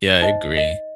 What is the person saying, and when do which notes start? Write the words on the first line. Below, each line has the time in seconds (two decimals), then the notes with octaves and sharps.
Yeah, I agree.
0.22 D#4 C5 D#5
0.57 D#5